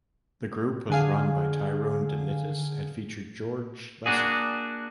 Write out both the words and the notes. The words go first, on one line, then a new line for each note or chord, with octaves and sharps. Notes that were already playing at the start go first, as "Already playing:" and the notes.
The group was run by Tyrone DeNittis and featured George Lesser.
D3 G#4 F5
A#3 D4 F#4 G#4